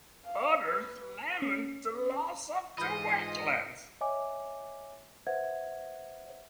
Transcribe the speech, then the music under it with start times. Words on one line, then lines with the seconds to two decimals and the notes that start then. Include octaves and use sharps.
Others lament the loss of the wetlands.
0.25 F5
0.66 B4
1.42 C#4
2.78 G#2 E3 F4 D#5 B5 G6
4.01 C#5 D#5 E5 G#5 D6
5.27 B4 C5 E5 F#5 G#6